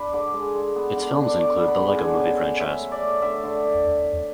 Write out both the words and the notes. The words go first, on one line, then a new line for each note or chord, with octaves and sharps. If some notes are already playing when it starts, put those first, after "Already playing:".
Its films include "The Lego Movie" franchise.
Already playing: D4 B5
D3 D6
G#3
G#3
B3
D3
D4
D6
D4 C#6
B3
B5
G#3
D3 F#5 G#5
C#4
C#4
C#4 E5
A3
D5
A3
D3 E5
D3